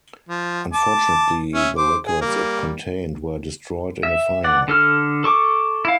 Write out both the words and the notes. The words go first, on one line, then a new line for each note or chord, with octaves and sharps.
Unfortunately, the records it contained were destroyed in a fire.
F3
A5 D6
C#4 E5
C5 D6
G#4
G3 A#3
E5
D5 F#5
D3 A4 F6
A4 C#6 D6
E4 F5